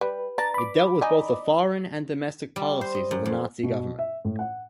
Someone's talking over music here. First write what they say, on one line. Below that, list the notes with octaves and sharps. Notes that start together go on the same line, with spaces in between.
It dealt with both the foreign and domestic policies of the Nazi government.
G3 B4
D4 A#5 A6
B5 D6
D#3 D#4 D5 D#5 G#5
G3
C5
D#5
F#2
F2
B2
E5
A2
F#5